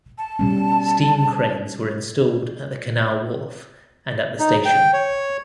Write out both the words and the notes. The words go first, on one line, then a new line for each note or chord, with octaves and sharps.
Steam cranes were installed at the canal wharf and at the station.
A5
B2 G3 C#4
D#4
G5
C#5